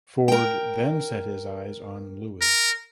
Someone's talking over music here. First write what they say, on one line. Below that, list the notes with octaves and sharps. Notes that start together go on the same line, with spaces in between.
Ford then set his eyes on Lewes.
A#4 G5
A#4